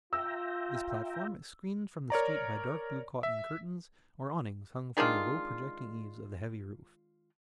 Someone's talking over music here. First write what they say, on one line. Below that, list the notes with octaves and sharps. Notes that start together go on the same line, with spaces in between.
This platform is screened from the street by dark blue cotton curtains or awnings hung from the low projecting eaves of the heavy roof.
F4 E5 G5 A#5 E6
A#4 C#5 D5 A#5
E5
D#3 G#3 D4 F4